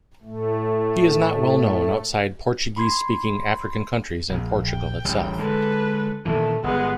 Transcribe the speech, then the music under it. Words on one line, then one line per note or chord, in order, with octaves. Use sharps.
He is not well known outside Portuguese-speaking African countries and Portugal itself.
A2 A3
B5 C6 G#6 C7
A#1
G5
A1 C#3 G3
D3 G#3 A4 B4
A#2 D#3 E3 A3
G1 G#3 B3